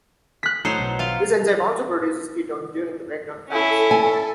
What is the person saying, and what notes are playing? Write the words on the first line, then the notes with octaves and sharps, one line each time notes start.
This enzyme also produces ketones during the breakdown of fats.
F#6 B6
A2 F#3 D#4 C5 A#5 C7 C#7
B1
F4 F5
C#4 E4 A4
G#5